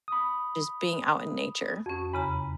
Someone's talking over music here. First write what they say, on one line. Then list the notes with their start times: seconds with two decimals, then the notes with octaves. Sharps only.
just being out in nature.
0.08 B5 D#6
1.86 F2 C#4 F#4 A5
2.13 E2 C#3 A#5 B5